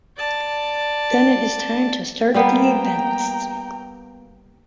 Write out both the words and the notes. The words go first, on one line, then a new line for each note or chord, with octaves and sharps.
Then it is time to start the events.
D5 A5
G3 A#3 B3 G5 A#5